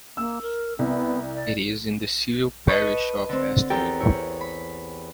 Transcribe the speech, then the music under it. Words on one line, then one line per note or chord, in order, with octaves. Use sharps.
It is in the civil parish of Astwood.
A#3 E6
A#4
C2 B3
D5
B4 D#5 A5 B5 C#6
D3 C4
E2 G4 A4 A#4 G5
E4 C#5
B5